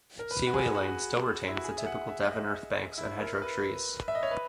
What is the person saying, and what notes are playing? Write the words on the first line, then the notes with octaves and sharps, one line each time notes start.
Seaway Lane still retains the typical Devon earth banks and hedgerow trees.
A#4
B4
F#4
G#4
F#4
E4
F#4
G#4
E5
F#5
E5
D#5
E4
A#4
B4
E5
D#5
C#5
B4